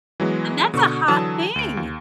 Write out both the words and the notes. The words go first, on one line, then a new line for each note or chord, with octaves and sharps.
and that's a hot thing!
E3 F#3 G#3 B3
B2 D3 F#4 C#6
D3 E3 F#3 A5 D#6 E6
D2 D7
D#2